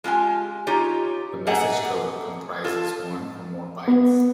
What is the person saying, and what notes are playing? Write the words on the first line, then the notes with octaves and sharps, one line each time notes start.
The message code comprises one or more bytes.
G#3 F4 G4 G#5
D#4 F4 G4 C#5
A3 A#3 G#4 D#5 F#5
F4 A4
B3